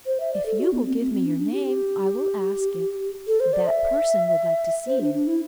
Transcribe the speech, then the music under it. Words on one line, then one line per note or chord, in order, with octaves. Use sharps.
"If you will give me your name, I will ask if--that person would like to see you."
C5
E5
D5
A4
F#4
B3
C4
C4
C4
D4
C4
D4
G4
G4
A4
C5
D5
E5
C5
D4
D4
E4